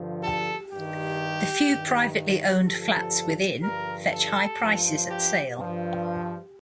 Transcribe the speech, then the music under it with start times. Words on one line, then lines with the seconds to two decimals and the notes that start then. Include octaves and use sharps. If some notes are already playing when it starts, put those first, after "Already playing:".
The few privately owned flats within fetch high prices at sale.
Already playing: G2 D3 F3
0.23 A4
0.72 G2 D#3 G4
1.69 G2 D#3
2.66 G2 D3 F3 A4
3.63 G2 D3 F3 A#4
4.12 A4
4.60 G2 F3
5.08 G4
5.57 G2 F3